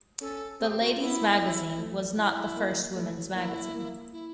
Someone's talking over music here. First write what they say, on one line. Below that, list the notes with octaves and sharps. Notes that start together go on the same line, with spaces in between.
"The Lady's Magazine" was not the first women's magazine.
C#4 A4
C4 G#4
G4
F#4
F4
B3 E4
A3
E4
A#3
A3 E4
A#3 E4
A#3
E4